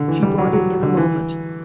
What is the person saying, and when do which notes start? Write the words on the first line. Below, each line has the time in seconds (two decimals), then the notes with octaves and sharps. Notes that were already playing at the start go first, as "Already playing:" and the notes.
She brought it in a moment.
Already playing: D3
0.08 E3
0.23 G3
0.38 F#3
0.53 F#3
0.83 D3
0.97 E3